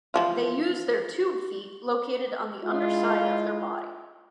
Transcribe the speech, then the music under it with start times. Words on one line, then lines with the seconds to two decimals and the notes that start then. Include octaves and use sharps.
They use their tube feet located on the underside of their body.
0.14 E3 F3 F4
2.64 G#3 E4 F4